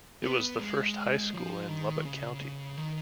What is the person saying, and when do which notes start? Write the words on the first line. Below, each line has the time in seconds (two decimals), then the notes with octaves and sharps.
It was the first high school in Lubbock County.
0.23 B3
0.60 G#3
1.33 F3
1.68 D#3
2.05 C#3
2.41 C#3
2.77 D#3